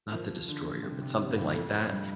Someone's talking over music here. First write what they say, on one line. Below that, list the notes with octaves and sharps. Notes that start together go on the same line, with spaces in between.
not the destroyer but something like that.
D#3
F3 A#4
D3 D4
C3 G3
C3
D3
C3 G4
G2
A2
F2 A4
G2 G3